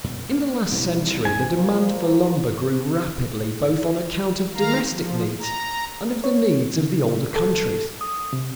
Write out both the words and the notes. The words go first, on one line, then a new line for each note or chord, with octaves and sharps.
In the last century the demand for lumber grew rapidly both on account of domestic needs and of the needs of the older countries.
F#2 B2
A#3
E1 C2 B2
E1 E2 C3 G#5
A#2 F3
D#3 F5 A#5
F3
A#5
C#5
C#3
A4
D#6
C3